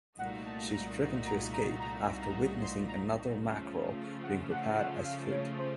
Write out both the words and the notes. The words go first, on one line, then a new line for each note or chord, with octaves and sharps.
She is driven to escape after witnessing another mackerel being prepared as food.
C2 A#2 A3 D#4 F#4 F#5
A5
A#5
A#5
A#5
A#5
A#5
C6
A#5
C#3 F3 A3
F#5
F#5
F#5
F5
C#5
C5